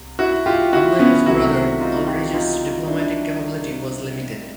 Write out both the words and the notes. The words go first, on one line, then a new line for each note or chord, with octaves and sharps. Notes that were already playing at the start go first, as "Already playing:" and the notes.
Unlike his brother, Ulrich's diplomatic capability was limited.
Already playing: C2
E4 F#4
F4 G4
E4 F#4
B3 C#4
C2 C3 D#3 F#3 A3 E4 F#4
D#4 F4
F4 G4
D#4 F4
D4 E4